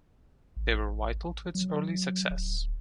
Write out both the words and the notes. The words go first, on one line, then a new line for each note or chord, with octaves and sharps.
They were vital to its early success.
A1
F#3
D1